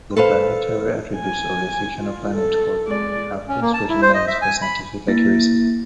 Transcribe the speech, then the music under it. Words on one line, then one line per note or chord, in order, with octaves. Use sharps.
The planetary attributes of the fictional planet Hoth have been scrutinized for scientific accuracy.
A4 B4 C5 F5
G#5
F4
A4
G#3 D5
C#4
A#3
A5
E4
C5
D#5
E5
G#5
B5
A#3 E4 A6 A#6